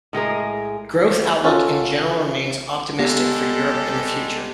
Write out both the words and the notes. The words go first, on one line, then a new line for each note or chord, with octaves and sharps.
Growth outlook in general remains opimistic for Europe in the future.
A2 G#3 G#4 A#4
C#4 F4 F#4 A4
G3 G#3 B3 G4 A4 F#5